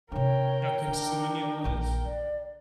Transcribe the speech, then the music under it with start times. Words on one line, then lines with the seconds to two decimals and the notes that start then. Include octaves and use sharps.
How consuming it was?
0.12 C3 D4 A#4 C#5 G5
0.87 C#3 D4
1.64 A#1 D3
2.05 D3 D5